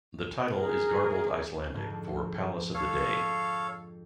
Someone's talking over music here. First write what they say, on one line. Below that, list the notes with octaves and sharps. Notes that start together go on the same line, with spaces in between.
The title is garbled Icelandic for "Palace of the Day".
G#4 A#4
F2 G#2 D3
A4 C#5 F5